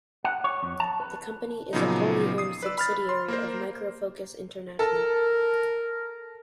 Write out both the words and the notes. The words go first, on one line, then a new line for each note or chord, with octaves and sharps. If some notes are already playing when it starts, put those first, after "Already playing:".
The company is a wholly owned subsidiary of Micro Focus International.
F#5
C#5
F2
A5
B4
A#2 C#3 F3 F#3 B3 D#4
D#6 C7
B4 D5 E6
B5 F6 A6
C6
A#3 A#4 C5
A4 A#4